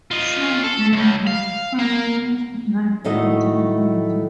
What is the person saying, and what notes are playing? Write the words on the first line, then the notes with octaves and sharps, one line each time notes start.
Schwarzenegger first used the line in The Terminator.
F4 D#5
A4
C#2 G#2
F5
A#3
A2 D#3 A3 F#4 D#5